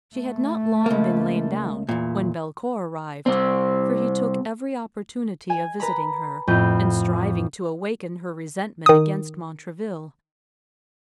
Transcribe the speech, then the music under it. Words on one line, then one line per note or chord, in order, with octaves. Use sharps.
She had not long been lain down, when Belcour arrived, for he took every opportunity of visiting her, and striving to awaken her resentment against Montraville.
A3
C#2 A#3
E2 A#2
C2 C4
G#5
B4 A#5 B5
F2 A2 B3 G6 D#7
D#3 D#6